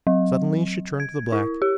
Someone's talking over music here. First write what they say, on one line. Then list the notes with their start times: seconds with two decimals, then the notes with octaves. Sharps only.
Suddenly she turned to the black.
0.07 F#3
1.00 G#6
1.32 E4
1.62 G4